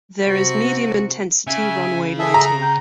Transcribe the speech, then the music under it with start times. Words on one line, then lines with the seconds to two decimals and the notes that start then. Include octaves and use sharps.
There is medium intensity runway lighting.
0.24 C3 F#4
1.47 C#3 E5 G#5
2.19 G#4 A4 E5
2.34 A#5
2.62 G5